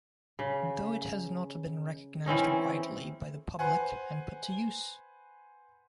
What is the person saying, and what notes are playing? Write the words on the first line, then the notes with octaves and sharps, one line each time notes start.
Though it has not been recognised widely by the public and put to use.
C#3
E3 C4 C#4 D#4
B4 C5 F#5 G#5